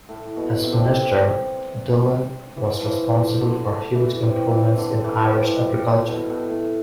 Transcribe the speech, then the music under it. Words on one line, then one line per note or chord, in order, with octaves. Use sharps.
As Minister, Dillon was responsible for huge improvements in Irish agriculture.
A2
B2
C3
D3
C3
E3
E3 F3
D3
D3
D3
E3
C3
E3
D3
E3
G3
F3
G3
A2
B2
A2
A2